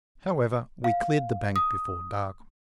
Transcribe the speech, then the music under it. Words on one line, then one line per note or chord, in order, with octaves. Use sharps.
However, we cleared the bank before dark.
F5
D#6